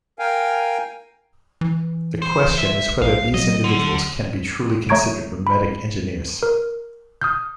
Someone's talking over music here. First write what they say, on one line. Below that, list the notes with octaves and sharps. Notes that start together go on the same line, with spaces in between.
The question is whether these individuals can be truly considered memetic engineers.
A#4 F5 G5 G#5
E3
C5
E5
B1 F5
F#3 D#5
D3
A3 C#5 A#5 C#6 G#6 D7
B5
A#4
D#6 F6 G6